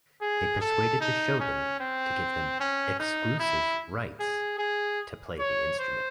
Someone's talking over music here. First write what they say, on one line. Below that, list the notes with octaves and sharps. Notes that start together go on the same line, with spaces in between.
They persuaded the Shogun to give them "exclusive rights" to play the instrument.
G#4
A4
D#4
C#4
C4
C#4
D#4
E4
G#4
G#4
C#5
C5